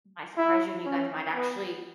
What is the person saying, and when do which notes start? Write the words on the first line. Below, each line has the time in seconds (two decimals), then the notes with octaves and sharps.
it might surprise you and you guys might actually
0.37 E4
0.86 C#4
1.34 B3